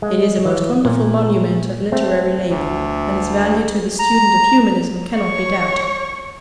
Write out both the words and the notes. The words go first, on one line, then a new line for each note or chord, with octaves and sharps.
It is a most wonderful monument of literary labour, and its value to the student of Humanism cannot be doubted.
G#3
E3
A#2
A3 C4
D2
A#5
C#5 C#6